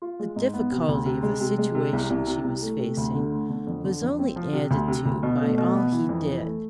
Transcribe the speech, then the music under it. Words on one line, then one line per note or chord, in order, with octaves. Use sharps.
The difficulty of the situation she was facing was only added to by all he did.
F4
G#3
G#2
B3
C3
D2
C3
G#3
C3
G#3
C3
C2
C2
C3
C2
A3
C3
D2
D3
A3
D3
F2
D3
F2
C4
F3
C3
D2
C3
D2
B2
A3
B2
B3
E3
F2
E3
A3